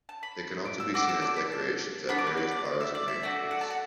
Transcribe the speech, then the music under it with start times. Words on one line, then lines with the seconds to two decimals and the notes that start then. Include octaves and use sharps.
They can also be seen as decorations at various bars and man caves.
0.09 A5
0.23 B5
0.65 D6
0.80 E6
0.94 D4 F#4 A4 D6
1.08 E6
1.22 D6
1.36 B5
1.52 A5
2.09 B3 D4 F#4 B5
2.18 D6
2.27 B4
2.37 B4
2.51 D5
2.65 D5
2.80 E5
2.95 D5
3.08 E5
3.23 A3 D4 F#4
3.51 F#5
3.61 A5
3.70 F#5